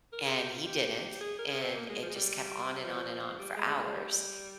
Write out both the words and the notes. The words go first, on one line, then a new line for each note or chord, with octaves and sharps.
and he didn't, and it just kept on and on and on for hours,
A#4
G#4
G4
F4
G4
G#4
A#4
G#4
C4
A#3
G#3
F3
G#3
G3
F3
G3
G#3
G#3
G3